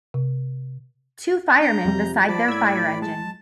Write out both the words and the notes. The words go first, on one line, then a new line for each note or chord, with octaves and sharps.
Two firemen beside their fire engine.
C3
D4 A#5 G6
F2 C3 F3 G3
F3 D5 A5 B5
A2 E6 G#6
G#3 A5